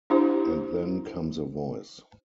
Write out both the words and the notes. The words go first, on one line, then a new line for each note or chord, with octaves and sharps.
And then comes a voice.
D4 E4 G4 C5